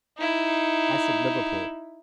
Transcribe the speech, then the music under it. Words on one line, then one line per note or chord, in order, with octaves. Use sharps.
"I said Liverpool."
D#4 E4